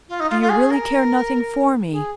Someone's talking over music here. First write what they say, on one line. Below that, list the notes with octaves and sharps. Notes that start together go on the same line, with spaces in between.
Do you really care nothing for me?
F4
D#4
F4
F4
G#4
A#4
G#4